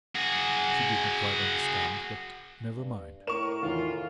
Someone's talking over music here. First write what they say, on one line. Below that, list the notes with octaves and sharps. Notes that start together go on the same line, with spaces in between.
She did not quite understand--but never mind.
F#4 G#4
G2
A2 A#4 C#6 E7 F7
E2 D#3 F4